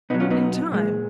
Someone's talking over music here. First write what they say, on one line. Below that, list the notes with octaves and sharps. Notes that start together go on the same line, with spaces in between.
In time!
B2 F#3 B3 D#4
C#4 F4
B3 D#4
A#2 G#3